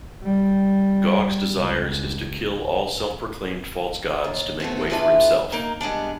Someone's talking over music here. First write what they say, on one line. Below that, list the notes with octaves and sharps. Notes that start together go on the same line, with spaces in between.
Gog's desires is to kill all self-proclaimed false gods to make way for himself.
G3
C#2
D#2
A3 B3 C4
E3 D4 E4 F4 G#4 B4
A#3 D#4
G3 G#3 B3 D4